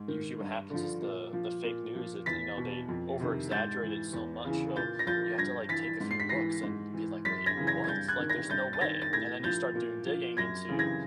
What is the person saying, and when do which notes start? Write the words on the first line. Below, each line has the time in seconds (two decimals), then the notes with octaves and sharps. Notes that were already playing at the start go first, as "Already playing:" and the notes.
usually what happens is the the fake news, it's you know, they over-exaggerate it so much, you know? You have to, like, take a few looks and be like, "Wait, what? Like, there's no way," and then you start doing digging into
Already playing: G#2
0.08 D#3
0.40 G2
0.70 D3 F3
1.02 A#2
1.33 F3
1.64 A#2
1.95 F3
2.26 E2 A6 B6
2.57 B2
2.89 F2
3.20 C3 D#3
3.51 G#2 G6 A6
3.82 E3
4.13 E2
4.45 C#3 E3
4.76 A#2 G6 A6
4.99 A#6
5.07 F3 G6 A6
5.38 G2 G#6 A#6
5.69 E3 A6 B6
6.00 G#2
6.11 C7
6.20 B6
6.29 E3 A#6 C7
6.63 G#2
6.94 E3
7.25 F#2 A6 B6
7.46 G#6 A#6
7.57 C#3 E3
7.67 G#6 A#6
7.84 G#6
7.88 G2 G6 A6
8.08 F#6 G#6
8.19 D#3
8.30 G#6 A#6
8.50 G2 G6 A6
8.73 A6
8.81 D#3 G#6 A#6
9.02 A6
9.13 A2 G#6 A#6
9.44 F3 G6 A6
9.75 A#2
10.06 F3
10.37 F#2 G#6 A#6
10.69 C#3 E3
10.79 G#6 A#6